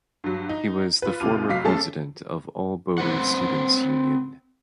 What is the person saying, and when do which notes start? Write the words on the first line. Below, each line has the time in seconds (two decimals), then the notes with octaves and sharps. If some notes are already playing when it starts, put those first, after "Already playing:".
He was the former president of All Bodo Students Union.
0.24 G2 F#3
0.49 D#4
1.02 F4 B4
1.20 D#2 C3 F4 D6 F6 D#7
1.49 F1 F#3 F5 B6 C7
1.64 B1 G#3 A3 C#4 A4 A5
2.98 C4 B4 C5 F#5